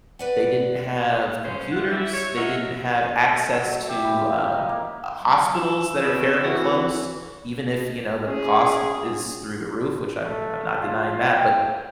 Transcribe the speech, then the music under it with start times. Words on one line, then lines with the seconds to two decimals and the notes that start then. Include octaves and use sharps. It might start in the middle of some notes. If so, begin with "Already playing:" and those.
they didn't have computers, they didn't have access to, um, uh, hospitals that are fairly close, even if, you know, the cost is through the roof, which I'm I'm not denying that, but
0.19 B4 D5 F#5
1.44 G2 C#3 C#4 C5
1.71 E3 F4 F#5
1.91 E3 E4
2.12 C#5
2.37 A4 A#4 D#5 E5 F#5
3.28 A3
3.47 F#3
3.69 E5
3.89 G4
4.04 E3
4.20 F4
4.51 D#4
4.69 A#3
5.18 F#3
5.54 E6
6.03 B2 C4
6.44 D2 E3 F#4
8.27 C#4 G#4
10.23 A3
10.81 F4
11.30 G5